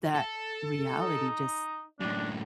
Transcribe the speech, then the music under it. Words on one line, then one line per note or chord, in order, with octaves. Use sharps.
that reality just
A4
D#4
F#2 A2 D4